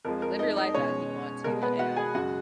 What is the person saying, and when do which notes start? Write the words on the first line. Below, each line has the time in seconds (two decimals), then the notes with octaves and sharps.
live your life as you want to and
0.05 F2 F3 G#3 A#4
0.22 A#4
0.39 D#4 D#5
0.57 D#4 D#5
0.74 B2 G#3 C#4 C#5
1.44 B2 G#3 A#4
1.62 B3 B4
1.79 F#4 F#5
1.96 G#4 G#5
2.14 F#2 C#3 G#3 F#4 F#5